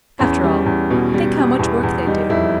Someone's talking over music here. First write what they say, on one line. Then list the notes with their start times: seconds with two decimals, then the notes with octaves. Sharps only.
After all, think how much work they do.
0.19 E2 C#4
0.44 G3
0.66 E2
0.91 B2
1.14 G3
1.37 G3
1.59 E2
1.83 E2
2.07 G3 D#4
2.29 F2 E4